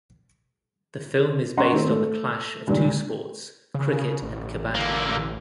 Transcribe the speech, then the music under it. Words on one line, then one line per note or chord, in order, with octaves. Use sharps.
The film is based on the clash of two sports cricket and kabaddi.
C#4 D#5 F#5 A#5 C6 C#6
D#3 A3 C4
A3 A4
C#2 G2 A#2 D#3
C#3
A1
D3 A#3